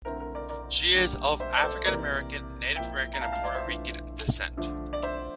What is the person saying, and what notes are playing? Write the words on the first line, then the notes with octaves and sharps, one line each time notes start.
She is of African American, Native American and Puerto Rican descent.
D3 A3 C4 E4 A#4
A#4
A#4 D5
A#4 D5
D3 G3 A#3
C5 E5
D5
A4 C5
C3 E3 A#3 A#4 D5
F3 A#3 E4 E5 G5
A#5
F5 A5
F5 A5
D5 F5
C5 E5
E3 A3 D4 F4
D3 F3 A3 D4
D5
C5 E5